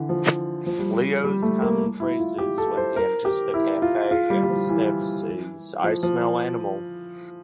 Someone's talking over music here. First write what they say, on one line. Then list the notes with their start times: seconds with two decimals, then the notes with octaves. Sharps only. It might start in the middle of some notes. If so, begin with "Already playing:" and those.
Leo's common phrases when he enters the cafe and sniffs is I smell animal!
Already playing: D3 E3
0.09 F3
0.66 F3
0.79 G3
0.92 F3
1.24 G3
1.42 A3
1.62 A#3
2.00 E4
2.20 F4
2.38 G4
2.58 A4
2.77 C5
2.96 A#4
3.25 G4
3.54 E4
3.82 F4
4.11 F4
4.30 G3
4.43 G3
4.49 F3
4.69 E3
5.84 F3
6.03 F3